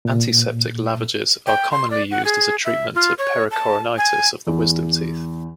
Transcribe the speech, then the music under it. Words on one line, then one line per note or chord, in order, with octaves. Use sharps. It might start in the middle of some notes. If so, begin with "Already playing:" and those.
Antiseptic lavages are commonly used as a treatment to pericoronitis of wisdom teeth.
A#2
G5
C6
D5
F#5
G#4
E5
F4
C#5
A5
G#5
E2